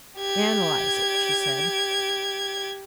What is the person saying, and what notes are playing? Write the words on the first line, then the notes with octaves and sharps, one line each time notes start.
"Analyse it," she said.
G4 G#6